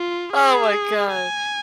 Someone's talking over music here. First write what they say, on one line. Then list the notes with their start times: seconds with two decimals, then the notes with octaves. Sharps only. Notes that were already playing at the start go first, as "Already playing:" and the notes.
Oh my God.
Already playing: F4
0.33 G#4
1.11 G#5